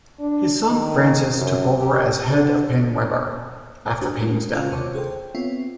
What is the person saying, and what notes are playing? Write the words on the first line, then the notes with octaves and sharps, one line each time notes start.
His son, Francis took over as head of Paine Webber after Paine's death.
D4
D#3
F#2
G4
D3
G2 D4 F#4 G4 C5 D#6
G#3 A#4
C#3 F4 F#4
D#2 C3 C5 C#5 A5 D6
G#4 A4 C5 G5
B3 C4 F4 C#5 E5